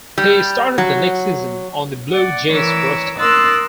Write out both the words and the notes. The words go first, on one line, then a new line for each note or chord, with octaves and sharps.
He started the next season on the Blue Jays' roster.
G3
F#3
D5 F#5
E3 A#4 B4 C#5 D6 E6
A#4 C6 D#6 E6 F#6 A6